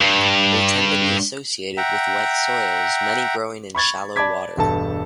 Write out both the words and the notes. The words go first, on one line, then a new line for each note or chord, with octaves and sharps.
They tend to be associated with wet soils, many growing in shallow water.
G2
E5 F#5 G5 A#5
B5 C#6 G#6 A6
D5 A5 B5 D6 G#6 B6
E1 G2 A4 A5